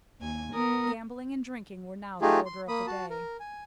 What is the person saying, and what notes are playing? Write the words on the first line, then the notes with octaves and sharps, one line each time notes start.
Gambling and drinking were now the order of the day.
D#2 G#5
B3 A#4 D#6
A3 D#4 F4 G4 G#4
C6
A#3 B5 D#6
F#4 A5
A#4
G#5